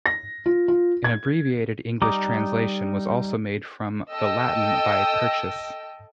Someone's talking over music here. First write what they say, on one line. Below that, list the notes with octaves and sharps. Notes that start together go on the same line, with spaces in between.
An abbreviated English translation was also made from the Latin by Purchas.
A#6
F4
F4
G#6
G3 D#4 A#5 D6 D#6
A4 D#5 G5 E6